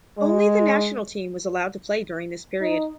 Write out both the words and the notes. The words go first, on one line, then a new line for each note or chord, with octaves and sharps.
Only the national team was allowed to play during this period.
G#3
D#4